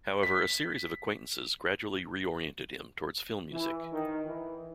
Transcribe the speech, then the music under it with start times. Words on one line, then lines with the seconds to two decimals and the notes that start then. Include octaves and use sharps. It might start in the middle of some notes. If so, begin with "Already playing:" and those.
However, a series of acquaintances gradually re-oriented him towards film music.
0.23 B6
3.52 E3
3.92 D#3
4.25 E3